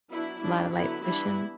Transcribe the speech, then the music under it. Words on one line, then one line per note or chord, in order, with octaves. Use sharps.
Lotta light pollution?
F#3 B3 D4 E4
G3 C#4 D4
D3 F#3 B3 E4
E3 G3 B3 D4 E4